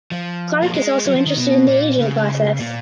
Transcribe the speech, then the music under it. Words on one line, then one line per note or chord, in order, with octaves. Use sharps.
Clarke is also interested in the ageing process.
F3
A#3
G#3
F#3
F3
D#3
B2
A#2
C#3
A#2